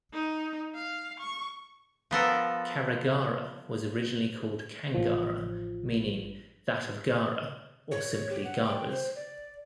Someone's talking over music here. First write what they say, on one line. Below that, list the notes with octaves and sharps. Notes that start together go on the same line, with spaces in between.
Carigara was originally called Kangara, meaning "that of Gara" or simply "Gara's".
D#4
F5
C#6
F3 B3 A4 A#4
A1 F3
C#5
G4
F#5
G5
C5
D5